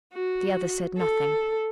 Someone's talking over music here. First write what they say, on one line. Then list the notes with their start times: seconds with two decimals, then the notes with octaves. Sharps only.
The other said nothing.
0.14 F#4
0.97 A4